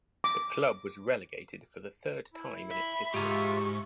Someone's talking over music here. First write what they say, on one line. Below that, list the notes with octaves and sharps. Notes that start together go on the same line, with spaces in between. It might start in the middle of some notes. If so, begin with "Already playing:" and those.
The club was relegated for the third time in its history.
D6
E4
E5 B5
G#2 F4 G4 G#4 E5 A#5 C#6